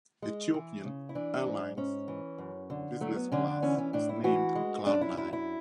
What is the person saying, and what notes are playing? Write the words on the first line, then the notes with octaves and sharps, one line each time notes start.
Ethiopian Airlines' Business Class is named "Cloud Nine".
G#3
E3
C#3
E4
E3 D4
G#2
G#2 C#4
E3
F#2
D3
F#3 A3
B3
D3 C#4
D4
E3 C#4
C#4
A2 D4
E4
E3 F#4
G#3
F#2 D4
E4
F#2 E4
E4